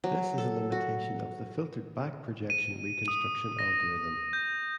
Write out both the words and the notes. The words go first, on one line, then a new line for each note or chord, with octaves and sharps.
This is a limitation of the filtered back projection reconstruction algorithm.
F#3
A4
F#4
D#7
D#6
A#6
G6